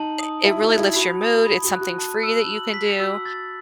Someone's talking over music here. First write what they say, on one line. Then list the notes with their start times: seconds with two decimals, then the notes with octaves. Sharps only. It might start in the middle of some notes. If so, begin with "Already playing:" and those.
eh, it really lifts your mood, it's something free that you can do.
Already playing: D#4 A5 F#7
0.19 D#6
0.44 E4 A5
0.62 F#4
0.70 G#6
0.79 E4
0.95 F#4 B5
1.21 D#6
1.46 F#4 B5
1.64 F#4
1.73 F#6
1.81 F#4
1.98 A5
2.23 E6
2.49 F#7
2.74 B6
3.00 F#4 E6
3.25 A6